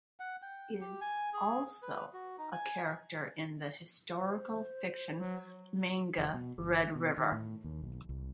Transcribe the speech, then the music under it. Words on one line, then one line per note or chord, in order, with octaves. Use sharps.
He is also a character in the historical fiction manga "Red River".
F#5
G5
G4
G#5
G#4
B4
F#4
D#4
G#5
C5
F#3
F1
B2
G1
B2
D#3
A2
D#2
B1
C2